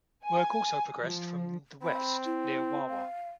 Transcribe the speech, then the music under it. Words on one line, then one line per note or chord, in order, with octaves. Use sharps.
Work also progressed from the west, near Wawa.
G#5
F3
C4 B5
E4
F5